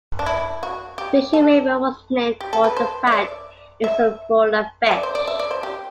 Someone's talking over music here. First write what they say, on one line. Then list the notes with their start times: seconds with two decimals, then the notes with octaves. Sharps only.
Fishing River was named for the fact it is full of fish.
0.19 D4
0.26 E4
0.63 F#4
0.98 G4
1.33 A4
2.41 G4
2.53 A4
2.64 B4
2.77 C5
3.07 E5
3.12 D5
3.84 E5
4.86 E5
4.91 D5
5.03 C5
5.15 D5
5.28 E5
5.39 D5
5.51 C5
5.63 G4